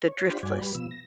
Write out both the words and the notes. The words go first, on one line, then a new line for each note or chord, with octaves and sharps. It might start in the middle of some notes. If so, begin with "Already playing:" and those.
the Driftless
C#5
D4 F4 G4 C5 B5
G2 F#4 D5 G#5
G3 B4
B2 F3 E6
A#6